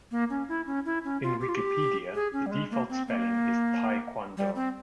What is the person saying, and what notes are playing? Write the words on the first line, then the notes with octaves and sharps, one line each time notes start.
In Wikipedia, the default spelling is taekwondo.
A#3
C#4
E4
C#4
E4
C#4
F4
G4
F4
G4
G#4
C#4
G3
G#3
A#3
C4
A#3
G3
C4